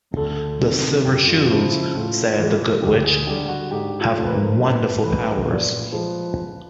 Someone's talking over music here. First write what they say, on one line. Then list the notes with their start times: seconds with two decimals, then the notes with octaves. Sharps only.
"The Silver Shoes," said the Good Witch, "have wonderful powers".
0.17 D2 A4
0.61 C3 D#3 G3
1.05 F#2 G4
1.27 F4
1.49 C#3 F3 G#3 E4
1.72 E4
1.94 A2 F4
2.39 E3 G#3
2.82 D2 G4
3.05 G#4
3.27 D3 G3 G4
3.49 F#4
3.71 G#2 G4
4.01 F4
4.15 F3 A3
4.25 B4
4.31 A#4
4.60 G2 B4
5.04 E3 A3 B4
5.48 A#2
5.92 F3 G#3